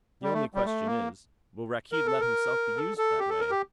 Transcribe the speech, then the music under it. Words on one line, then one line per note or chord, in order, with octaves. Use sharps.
The only question is, will Rakkeed let himself be used that way?
G3
A3
G3
A3
A#3
A#4
A4
A#4
A4
A4
G4
A4
A#4
G4